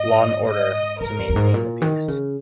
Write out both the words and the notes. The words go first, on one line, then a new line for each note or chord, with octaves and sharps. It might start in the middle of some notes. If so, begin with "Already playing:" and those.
Law and order to maintain the peace.
Already playing: G#2 D#5
D#5
G#2 A#4
F2
F2
G#2
A#2
D#3
C#3